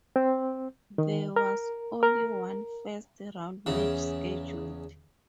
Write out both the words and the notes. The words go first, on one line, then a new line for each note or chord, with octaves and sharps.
There was only one first round match scheduled.
C4
D#3
A#4
A#4
E2 C#3